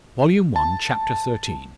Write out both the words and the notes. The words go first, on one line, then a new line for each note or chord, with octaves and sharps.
Volume One, Chapter XIII.
A5